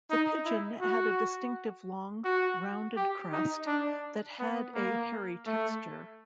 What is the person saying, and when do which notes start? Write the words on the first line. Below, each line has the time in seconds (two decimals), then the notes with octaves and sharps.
The pigeon had a distinctive long, rounded crest that had a hairy texture.
0.10 D#4
0.45 E4
0.81 F#4
2.24 F#4
2.97 G4
3.32 D#4
3.67 D4
4.39 B3
4.75 A#3
5.46 A3